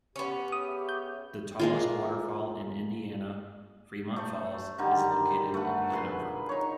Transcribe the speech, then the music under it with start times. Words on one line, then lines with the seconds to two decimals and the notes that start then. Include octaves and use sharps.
The tallest waterfall in Indiana, Fremont Falls, is located in Hanover.
0.16 B3 C#4 G4
0.52 G#4 C#5 E5 D#6
0.89 G6
1.59 G#3 A#3 F4
4.16 A3 C5
4.78 D3 D#3 G3
5.54 A3 B4 F#5
5.90 A#2 G#4 B4 C6
6.49 D#4 C#5